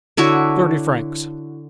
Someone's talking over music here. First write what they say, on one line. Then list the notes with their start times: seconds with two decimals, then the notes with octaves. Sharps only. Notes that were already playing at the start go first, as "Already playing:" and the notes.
"Thirty francs."
0.17 D3 E4 F#4 C#5